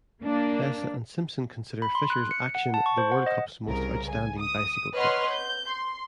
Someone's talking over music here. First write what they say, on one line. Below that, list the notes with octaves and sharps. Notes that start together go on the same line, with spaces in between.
Hesse and Simpson consider Fischer's action the World Cup's most outstanding bicycle kick.
A#3 D4
B5
C6
F#6
C#7
F#5
A5
C#6
C5
F#5
D#5
C2 C#3 A#4
G#5
D#6
B4 C#5 D#5 F#5 C6 F6
G6
C6